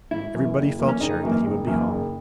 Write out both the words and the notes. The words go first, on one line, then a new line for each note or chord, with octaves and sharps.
Everybody felt sure that he would be hung.
G#1 E4
F#2 E3
F#1
F#2 E3 A#3
C#4
F#1 D#4
F#2 E3 A#3
F#1
F#2 E3 A#3
F#1